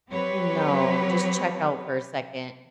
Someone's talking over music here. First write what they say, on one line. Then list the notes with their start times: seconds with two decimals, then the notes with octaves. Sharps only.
Mm, no just check out for a second.
0.11 F#3 C4 G4 B4 C#5